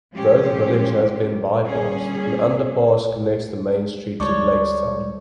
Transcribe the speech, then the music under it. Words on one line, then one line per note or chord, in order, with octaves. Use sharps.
Though the village has been by-passed, an under-pass connects the main street to Blakestown.
F3 G#3 C#4 G4 C5
A#2 D3 G3 C#4 G#4
D2 G3 G#3 D4 A4 C#5 C#6 D6